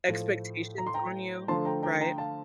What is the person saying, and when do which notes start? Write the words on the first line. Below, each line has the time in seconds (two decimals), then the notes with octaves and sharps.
expectations on you, right?
0.09 A2 F3 A3
0.78 A#5
0.87 C6
0.94 G5 A#5
1.48 D3 F3 A3 A5 C6
1.65 G5 A#5
1.83 G5 A#5
2.01 G5 A#5
2.18 F5 A5